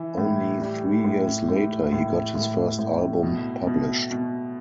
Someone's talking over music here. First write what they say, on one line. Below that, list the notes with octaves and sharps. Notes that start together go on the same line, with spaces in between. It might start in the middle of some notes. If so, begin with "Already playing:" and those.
Only three years later he got his first album published.
Already playing: E3
A2
G3
A2
A2
A2
A2
A2
B2
B2
B2